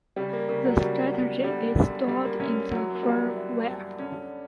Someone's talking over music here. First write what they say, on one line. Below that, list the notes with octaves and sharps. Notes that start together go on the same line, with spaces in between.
The strategy is stored in the firmware.
C#3 G3
A#3
C#3 A#3
F#3
C#3 G3
E2
D3 G3
F#2
F#2 G3
A#3
F#2 C#4
E3 F#3
A#3
E3 G3
E3
G2
D3 C#4